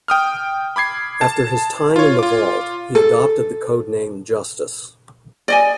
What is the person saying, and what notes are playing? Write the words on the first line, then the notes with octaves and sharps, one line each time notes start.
After his time in the Vault, he adopted the codename Justice.
G5 D#6 F6
B5 D6 G#6 C7
A5
F4 C#5
F4 D6
A4
D5 D#5 G#5